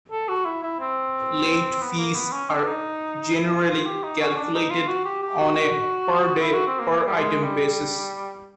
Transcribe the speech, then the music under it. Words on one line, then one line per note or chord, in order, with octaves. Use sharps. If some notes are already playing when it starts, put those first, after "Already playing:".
Late fees are generally calculated on a per day, per item basis.
A4
F#4
E4
E4
C4
B3
A#3
B3
C#4
D4
D#4
E4
F4
F4
G4
D#4
C#4
D4
D#4
F4
F#4
G4
G4
F#4
E4
F#4
C4
A#3
A#3
G3
G#3
G3